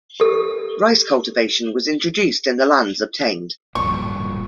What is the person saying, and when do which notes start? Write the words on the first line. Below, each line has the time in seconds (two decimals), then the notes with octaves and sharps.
Rice cultivation was introduced in the lands obtained.
0.20 G4 A4
3.75 D1 G1 G2 A#2 F3 C#6